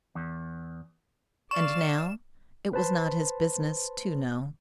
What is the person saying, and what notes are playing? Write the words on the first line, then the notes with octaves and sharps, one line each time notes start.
And now it was not his business to know.
E2
D5 F5 C#6 E7
B4 C5 A5 B5 C6